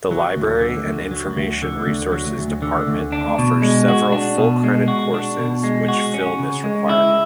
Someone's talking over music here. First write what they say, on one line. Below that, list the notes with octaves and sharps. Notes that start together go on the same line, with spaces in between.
The Library and Information Resources Department offers several full-credit courses which fill this requirement.
F#3
D2
D3
D2
F#3
D2
D3
D2
F#3
D2
D3
D2
D4
B2
G#3
F#4
D4
B2
G#3
F#4
D4
B2
G#3
F#4
C#4
C#3
G#3
E4